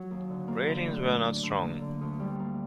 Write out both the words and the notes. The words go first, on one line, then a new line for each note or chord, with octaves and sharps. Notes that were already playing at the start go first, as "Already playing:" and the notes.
Ratings were not strong.
Already playing: F#3
D#2
D3
A#3
D3
A2
A3
D4
D3
A#3
D3
D2
G3
A#3